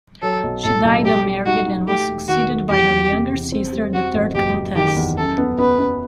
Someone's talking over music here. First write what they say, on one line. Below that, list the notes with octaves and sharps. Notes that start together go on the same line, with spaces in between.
She died unmarried and was succeeded by her younger sister, the third Countess.
F#3 A4
B1
A2 A4
B1
G3 G4
G3
D#4 F#4
D#4
A3 G4
E1
D#3 F#4
A3
E2 G4
E2
C3
E2
C4
G3
C4 F#4
A1
F#1 G4
F#1
D#3 G4
E2
F#2 A4
B3
B3 B4
B3